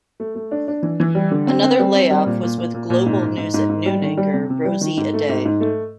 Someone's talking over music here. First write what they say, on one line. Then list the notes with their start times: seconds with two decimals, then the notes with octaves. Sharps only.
Another layoff was with "Global News at Noon" anchor Rosey Edeh.
0.20 A3
0.35 A3
0.51 D4
0.68 D4
0.83 E3
1.00 E3
1.15 G3
1.31 D3
1.47 C4
1.63 C4
1.79 G3
1.95 C4
2.11 G3
2.26 A#2
2.43 A#2
2.58 A#2
2.74 A#2
2.90 A#2
3.06 G#2
3.22 G#2
3.38 G#2
3.54 G#2
3.69 G#2
3.86 G3
4.02 D#3
4.17 G3
4.34 C3
4.50 C3
4.65 G3
4.81 D#3
4.97 G#2
5.13 A3
5.29 G#2
5.45 G#2
5.61 A3